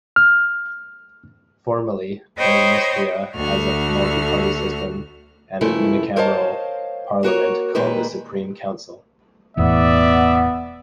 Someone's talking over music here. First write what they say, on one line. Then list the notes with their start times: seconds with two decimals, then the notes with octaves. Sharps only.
Formally, Transnistria has a multi-party system and a unicameral parliament, called the Supreme Council.
0.16 F6
2.37 C5 C#5 D#5 G5 B5 C#6
3.35 D2 A3 F#4 F6
5.61 G2 C#3 F3 A3 A#3 E4
6.16 A#4 C5 C#5 D#5 F5 A5
7.23 A#3 F#4 A#4 C#5
7.75 A#2 D#3 G#3 A#3 G4 B4
9.57 E1 E2 A2 B3 D5 E5